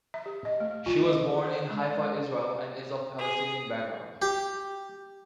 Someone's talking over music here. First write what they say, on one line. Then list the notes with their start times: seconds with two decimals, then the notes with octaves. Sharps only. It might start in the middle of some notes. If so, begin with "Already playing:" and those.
She was born in Haifa, Israel and is of Palestinian background.
0.14 E5
0.26 G4
0.45 D#5
0.60 A3
0.86 F4
1.05 D#5
1.30 G#4
1.47 C5
1.71 G#3
1.87 D5
3.17 G#4
4.22 G4